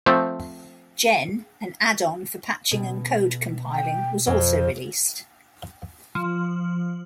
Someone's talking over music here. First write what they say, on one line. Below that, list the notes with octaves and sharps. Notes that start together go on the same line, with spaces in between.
Gen, an add-on for patching and code compiling was also released.
F3 A3 C4
B2
G5
F2 C5
F3